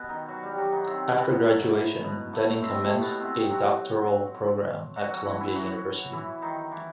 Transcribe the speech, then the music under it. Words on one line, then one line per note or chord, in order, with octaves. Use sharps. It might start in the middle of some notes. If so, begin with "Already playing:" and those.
After graduation, Dunning commenced a doctoral program at Columbia University.
Already playing: B2 B3
D#3 D#4
F#3 F#4
G3 G4
F#3 F#4
D#3 D#4
C3 C4
B2 B3
A2 A3
B2 B3
A2 A3
C3 C4
A2 A3
B2 B3
C3 C4
F#3 F#4
F#3 F#4
F#3 F#4
E3 E4
E3 E4
F#3 F#4
E3 E4
D#3 D#4
E3